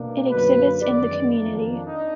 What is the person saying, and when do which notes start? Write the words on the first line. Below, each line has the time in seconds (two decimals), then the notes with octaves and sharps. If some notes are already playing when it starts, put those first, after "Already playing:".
It exhibits in the community.
Already playing: B2 A#3 D4
0.29 F#2 D3 F#3 A#3 D4 B4
0.81 F#2 D#3 G#3 B3 D5
1.33 F2 D#3 A#3 D4
1.85 D4 D#4